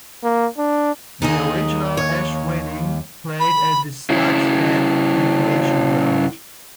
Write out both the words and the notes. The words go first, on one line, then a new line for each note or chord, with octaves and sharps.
The original Esh Winning played at the Stags Head Recreation Ground.
A#3
D4
D#2 D#4 G#4 D#5
C#5
B5
C#3 E4